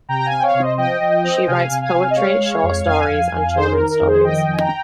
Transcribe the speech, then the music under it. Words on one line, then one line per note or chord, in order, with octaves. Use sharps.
She writes poetry, short-stories and children's stories.
C3 G5 A#5
A#5
F5 G#5
C4
G5
C#5 F5
C3
C5 D#5
F3 D#5 G5
F3
C4
C3 F5 G#5
C3
F5 G#5
C3
D#5
G#3 C#5 F5
G#3
F2
F2 F5 G#5
F2
F2
D#3 G#4 C5
A#4
D#3
A#4
F2
G#4 C5
D#3 D#5 G5
F2 G#5
G5 A#5